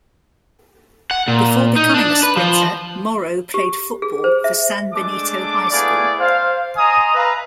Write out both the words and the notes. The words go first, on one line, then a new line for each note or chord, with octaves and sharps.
Before becoming a sprinter, Morrow played football for San Benito High School.
F#5
A#2
D#4
D4
B4
F3
G4
G#4
C5
E5
G#3 A3 D4 D6
A3 B3 E4 G#4 D5 F5
C5 F5
D#5 G#5 A#5 C6 D#6
B4 E5 F5 A#5